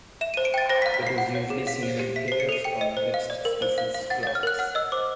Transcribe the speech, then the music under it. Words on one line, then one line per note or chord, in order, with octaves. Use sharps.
It is usually seen in pairs or mixed-species flocks.
E5 E7
C5 D#7
D7
G5 A6
C5 A#6
B6
F5
B6
F5 C7
F#5
C#5
G#4
F5 B6
C5
G4
E5 B6
C5 C7
C#7
A4 D#7
G5 C#7
D#5
C5
F5
D5
A#4
C5
F5
F5
F#5 A6
C#5 A6
F6
A#4 F#6
F#5 F6
D#5 E6
C5 D6